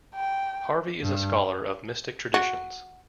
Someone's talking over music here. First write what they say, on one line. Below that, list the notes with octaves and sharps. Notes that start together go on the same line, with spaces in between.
Harvey is a scholar of mystic traditions.
G5
G2
F#4